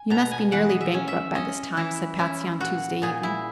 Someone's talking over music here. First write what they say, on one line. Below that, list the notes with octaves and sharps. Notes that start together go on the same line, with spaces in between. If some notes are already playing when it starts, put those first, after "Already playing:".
"You must be nearly bankrupt, by this time," said Patsy on Tuesday evening.
Already playing: G#5
B2 A#5
G#5
E3 F#5
D#5
E5
C#4
E5
C#4 D#5
E3 E4
C#4 E4
A#2 F#4
A#2 G#4
E4